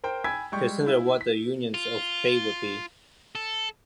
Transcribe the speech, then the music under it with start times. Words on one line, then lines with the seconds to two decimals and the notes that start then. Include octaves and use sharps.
Consider what the units of "k" would be.
0.04 A#4 C5 G5
0.24 G5 G#5 B5 E6 G#6 B6
0.52 G3 G#3 G5 C#6 G6
0.86 E4 E5
1.21 B6
1.74 F4
3.35 A4